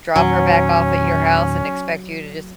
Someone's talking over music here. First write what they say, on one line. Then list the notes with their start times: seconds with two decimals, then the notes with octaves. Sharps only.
drop her back off at your house and expect you to just
0.16 E2 A#2 D#3 F#3 C#4